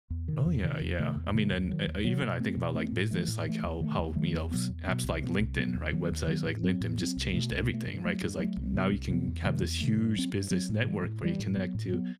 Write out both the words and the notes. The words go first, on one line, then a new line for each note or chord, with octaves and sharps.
Oh, yeah, yeah. I mean, and uh, even I think about, like, business, like how how, you know, s apps like LinkedIn, right? Websites like LinkedIn just changed everything, right, 'cause, like, now you can have this huge business network where you connect to,
E2
C3 D#3
E2
C3 D#3
E2
C3 D#3 A3
E2
C3 D#3 A3
D#2
D#3 F#3
D#2
D#3 F#3
B2
A3 C4
B2
A3 C4
A2
E3 A3
A2
E3 A3
D#2
D#3 F#3 A3
D#2
D#3 F#3 A3
E2
B2 F#3 B3
E2
B2 F#3 B3
C2
B2 F#3 B3
C2
B2 F#3 B3
D#2
D#3 F#3 B3
D#2
D#3 F#3 B3
A2
F#3 C4
A2
F#3 C4
C2
B2 A3
C2
B2 A3
G2
F#3 A3
G2
F#3 A3
C2
C3 F#3 B3
C2
C3 F#3 B3
E2
C3 D#3 A3
E2
C3 D#3 A3
G2
F#3 C4
G2
F#3 C4
A2
E3 G3
A2
E3 G3
A2
F#3 B3
A2
F#3 B3